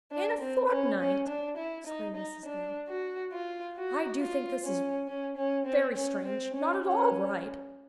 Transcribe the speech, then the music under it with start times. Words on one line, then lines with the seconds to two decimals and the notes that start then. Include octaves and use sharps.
'In a fortnight!' exclaimed Mrs. Hale, 'I do think this is very strange--not at all right.
0.12 D4
0.41 C4
0.70 C#4
0.99 C#4
1.28 D4
1.57 E4
1.87 D#4
2.16 D#4
2.45 D4
2.88 F#4
3.32 F4
3.77 F#4
4.20 F4
4.64 C#4
5.08 C#4
5.37 C#4
5.66 C4
5.95 C#4
6.25 C4
6.54 C#4
6.83 C#4